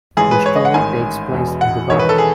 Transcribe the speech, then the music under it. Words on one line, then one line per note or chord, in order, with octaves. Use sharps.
The story takes place in Dubai.
A1 G#2 E3 G#4
B4
C#5
D#5
F#5
A1 G#2 D#3 G#5
E1 E2 B2
F#5
E1 E2 D#3 C#5
B4
A4
G#4